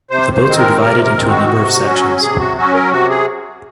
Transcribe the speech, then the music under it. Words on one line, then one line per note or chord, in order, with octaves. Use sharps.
The boats are divided into a number of sections.
C3 C5
C5
D#3 G#3 C4
A#4
C3 A#4
A#4
D#3 G#3 C4
F#4
C3
F#3 C#4
C3 G#4
F#4
F#3 C#4 F#4
A#4
C3 F#4
G#4